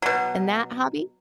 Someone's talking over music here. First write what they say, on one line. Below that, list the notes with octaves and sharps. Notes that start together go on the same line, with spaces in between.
in that hobby.
B2 F#3